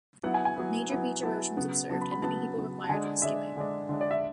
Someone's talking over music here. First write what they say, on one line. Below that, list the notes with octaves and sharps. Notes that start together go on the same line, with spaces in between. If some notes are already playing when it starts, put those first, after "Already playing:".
Major beach erosion was observed, and many people required rescuing.
F#3 B3 E4 F#5
G#5
G#5
F#3 B3 E4
F#3 B3 E4
F#3 B3 E4 A5
C#3 F#3 B3
C#3 F#3 B3 A5
B5
B5
C#3 F#3 B3 A5
C#3 F#3 B3
A5
D3 G#3 D4 G#5
D3 G#3 D4 E5
D3 G#3 D4
D3 G#3 D4
D5
E5